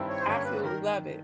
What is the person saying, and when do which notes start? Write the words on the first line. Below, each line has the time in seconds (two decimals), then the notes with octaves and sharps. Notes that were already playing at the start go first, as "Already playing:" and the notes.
Absolutely love it,
Already playing: G2 D#3 G3 C4 E4
0.09 C#5
0.21 C5
0.26 G2 D3 G3 A#3 C#4 C#5
0.44 B4
0.62 D#3 A#4